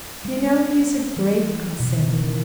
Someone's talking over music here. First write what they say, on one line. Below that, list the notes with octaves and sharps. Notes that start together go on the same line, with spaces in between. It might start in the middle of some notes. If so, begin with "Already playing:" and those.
You know he is a great gossip.
G#3
E3
B2
C#3
D#3
E3